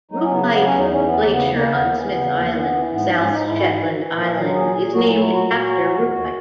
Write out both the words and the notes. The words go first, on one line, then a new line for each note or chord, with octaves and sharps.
Rupite Glacier on Smith Island, South Shetland Islands is named after Rupite.
F#3 D#4
C#4
C#3 B3
F#3 B3
C#4
E2
D#4
E3 C#4
B3
D#2
A#3
C#3 B3
C#3 A#3
D#2 B3
E3
C#3
D#2
E3
E3
G#2 B3
G#2
C#4
G#2 D#4
E4
E3
F#4
E3
E3
A#2
F#3
A#2 G#4
A#2
F#3 F#4
E4
F#3
E4
A#2 F#4
F#3
E3
D#2
D#2